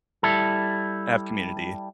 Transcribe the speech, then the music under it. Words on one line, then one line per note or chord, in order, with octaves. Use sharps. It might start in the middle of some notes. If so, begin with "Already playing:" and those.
I have community.
G3 E4 A4